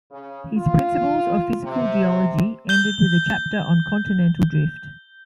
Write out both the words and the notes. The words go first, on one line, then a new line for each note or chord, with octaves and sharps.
His "Principles of Physical Geology" ended with a chapter on continental drift.
C#3
F4
C3
G6 G7